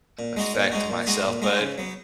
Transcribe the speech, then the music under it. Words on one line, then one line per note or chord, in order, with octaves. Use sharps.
affect myself, but
A#2
G#3 D#4 F#4
A#2
G#3 D#4 F#4
A#2
G#3 D#4 F#4
A#2
G#3 D#4 F#4
C#3
F#3 B3